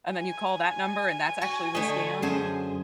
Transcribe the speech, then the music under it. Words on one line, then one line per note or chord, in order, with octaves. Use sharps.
and then you call that number and that's actually the scam?
G#5
F#4
D3 A3 D#5
F#2 C#4 G#4 C5 A5